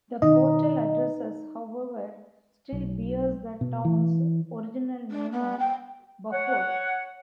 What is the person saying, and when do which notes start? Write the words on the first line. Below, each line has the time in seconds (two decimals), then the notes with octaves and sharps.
The postal addresses, however, still bears the town's original name of "Buford".
0.22 B2 D#3 D#4 D#5
2.72 B1
3.61 B2
3.85 E3
5.11 D4
5.32 B3
5.59 G5
6.32 C#5 F#5